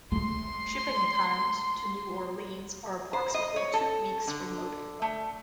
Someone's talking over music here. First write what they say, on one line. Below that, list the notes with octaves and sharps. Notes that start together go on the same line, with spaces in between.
Shipping times to New Orleans are approximately two weeks from loading.
G#3 A3 C6
C5
D#5
C#5
A4
D3
A3